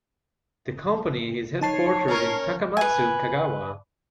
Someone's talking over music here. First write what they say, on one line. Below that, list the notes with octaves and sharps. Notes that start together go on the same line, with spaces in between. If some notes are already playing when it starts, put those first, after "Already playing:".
The company is headquartered in Takamatsu, Kagawa.
D#4 C#5 A5 C7
C#4 A#4
B4 G#5